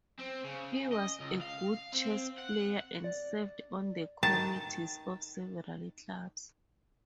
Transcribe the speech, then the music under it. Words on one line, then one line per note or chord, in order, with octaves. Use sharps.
He was a good chess player, and served on the committees of several clubs.
C4
C#3
D#5
C#2
F5
C4
F#5
D5
D#3 A5